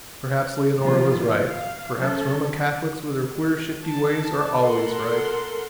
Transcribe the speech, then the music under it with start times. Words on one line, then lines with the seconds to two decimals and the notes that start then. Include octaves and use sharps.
Perhaps Leonora was right; perhaps Roman Catholics, with their queer, shifty ways, are always right.
0.80 B2 D#3 F3 F#3 F4
1.46 F5
1.96 F#3 C#4 A4
3.83 A5
4.59 A4 A#4 F#5 C6